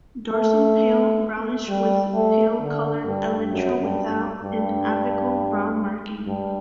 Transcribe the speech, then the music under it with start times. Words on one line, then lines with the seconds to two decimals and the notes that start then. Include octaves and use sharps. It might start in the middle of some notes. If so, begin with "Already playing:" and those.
Dorsum pale brownish with pale coloured elytra without an apical brown marking.
0.31 A3
1.68 G3
2.14 A3
2.61 D3
3.06 G2
3.52 F#2
3.82 G2
4.43 G2
6.27 G2